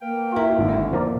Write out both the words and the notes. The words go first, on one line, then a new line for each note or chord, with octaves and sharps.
Oh, no.
A#3 B4 F5 G5
E4 A#4
G#1 D2 D3
F3 A#3 A#4 D5